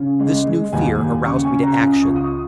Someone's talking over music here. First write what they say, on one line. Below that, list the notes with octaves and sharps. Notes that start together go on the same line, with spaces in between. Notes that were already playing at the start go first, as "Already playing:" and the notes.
This new fear aroused me to action.
Already playing: C#3
G#3
G#3
D#2 G#5
D#2
C#3 C#6
G#5
C#3
A#5
C#2
D#6
F4 C#6
D#6